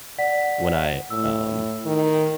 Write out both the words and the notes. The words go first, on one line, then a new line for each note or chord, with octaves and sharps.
when I um
D5 F#5 B6
A2 E6
D#3